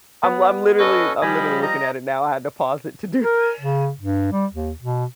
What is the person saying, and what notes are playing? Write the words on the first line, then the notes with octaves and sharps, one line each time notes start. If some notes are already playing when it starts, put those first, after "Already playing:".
I'm l I'm literally I'm literally looking at it now, I had to pause it to do this.
B3
C#4 F#4 A4 B4 D#5
F3 G3 D#5 G#5 B5
D#5 A#5
A#4
C#3
G2
G3
D#2
B2